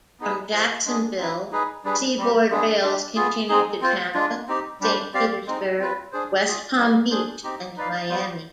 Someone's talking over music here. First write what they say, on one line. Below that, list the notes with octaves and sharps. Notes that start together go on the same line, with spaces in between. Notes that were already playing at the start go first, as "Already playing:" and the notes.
From Jacksonville, Seaboard rails continued to Tampa, Saint Petersburg, West Palm Beach and Miami.
B3 D#4 G#4 B4
F4 C5 D#5
G#3 D4 G#4
C4 D#4 B4
D#4 G#4 B4
G3 D4 G#4 B4
G3 C4 G4
G#3 B3 D4 G#4
G#3 D4 G4
B3 F4 G#4
G#3 C4 D#4 G#4
C4 F4 C5
G#3 D4 F4
C4 D#4 G4
G3 D4 G4 C5
C4 G4 D5 F5
G#3 C4 D#4
C4 F4 B4
D4 G#4 C5
F4 G#4 D5
G3 C4 D#4
D4 G#4 C5
C4 D#4 G4
D#4 B4 D5 F5
G3 B3 F4 C5